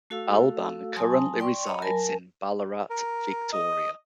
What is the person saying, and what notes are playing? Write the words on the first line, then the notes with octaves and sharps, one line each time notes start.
Alban currently resides in Ballarat, Victoria.
A3 F#4 A4 F5 E6
F#3 G#5 A5 C6 D#6
D5 G5 C6 C#6
C#5 D#5 A#5 B5
F#3 A#4 G#5 A5
A#4
D#5